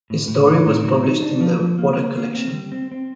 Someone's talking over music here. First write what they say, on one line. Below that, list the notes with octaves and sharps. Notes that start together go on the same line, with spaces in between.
His story was published in the "Water" collection.
A2
A2
D#4
A2
F#3
D#4
D4
F3
F3
A#3
A#3
A#3
C4
G3
C4
C4